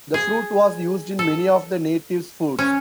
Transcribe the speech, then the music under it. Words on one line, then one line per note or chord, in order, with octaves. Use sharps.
The fruit was used in many of the natives' foods.
G#4
A4
C#4